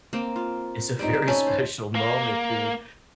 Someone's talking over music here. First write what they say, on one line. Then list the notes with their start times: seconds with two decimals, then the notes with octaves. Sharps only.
It's a very special moment, dude.
0.13 A#3 C4
0.36 F4
0.99 G3 C4 D#4
1.28 C#4 A4 B5
1.47 C5
1.95 A#3